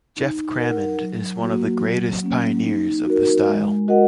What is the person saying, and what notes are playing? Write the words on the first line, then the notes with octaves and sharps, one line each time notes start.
Geoff Crammond is one of the greatest pioneers of the style.
D#4
A#4 F#5
F#3
A#3 F#4
F#3
A#3 C#4
D#4
F#4 A#4
G#3
F#4 A#4 D#5 F#5